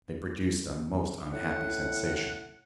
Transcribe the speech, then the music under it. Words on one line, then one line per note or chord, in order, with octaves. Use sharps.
They produced a most unhappy sensation.
A2 F#5